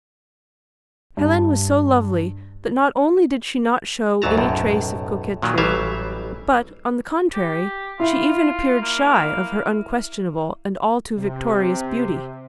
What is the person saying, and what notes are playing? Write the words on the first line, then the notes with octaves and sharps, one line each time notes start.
Helene was so lovely that not only did she not show any trace of coquetry, but on the contrary she even appeared shy of her unquestionable and all too victorious beauty.
G2
D2 G#2 F#3 A5 A#5
B1 F#2 A2
A#2 D#3 F#3
A1 E3 F#3 G3 E5 F5
G4
E4 F4
A#3
C3